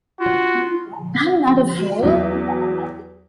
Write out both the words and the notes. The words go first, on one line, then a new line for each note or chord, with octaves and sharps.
I’m not a fool.
F4 F#4
E2 F#3